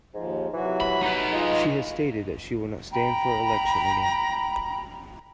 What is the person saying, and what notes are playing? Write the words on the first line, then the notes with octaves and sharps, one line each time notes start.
She has stated that she will not stand for election again.
D#2 G#2 F3
C3 E3 F#3 F#4
B5
D#4 B4
G#3 F4 D#5
G5 A#5 B5